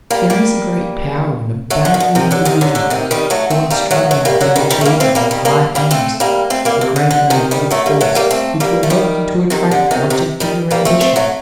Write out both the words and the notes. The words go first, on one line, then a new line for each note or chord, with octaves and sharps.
There is a great power in a battery of individuals who are struggling for the achievement of high aims, a great magnetic force which will help you to attract the object of your ambition.
G3 A#3
G3 A#3
F#3 A3
D3
D#3
D3
C3 D#3
D3 F#3
C3 D#3
D3 F#3
D3 F#3
C3 D#3
D#3 G3
F#3 A3
A3 C4
G3 A#3
F#3 A3
F#3 A3
G3 A#3
D3 F#3
D#3 G3
D#3 G3
A3
G3 A#3
A3 C4
G3 A#3
D#3 G3
G3 A#3
G3 A#3
A3 C4
G3 A#3
A3 C4
G3 A#3
C3
D3
D3
C3 D#3
D#3 G3
F#3 A3
G3 A#3
F#3 A3
G3 A#3
A3 C4
G3 A#3
A3
D#3 G3
C3 D#3
D3
C3 D#3
C3 D#3
D#3 G3
G3 A#3
A3 C4
A3 C4
F#3 A3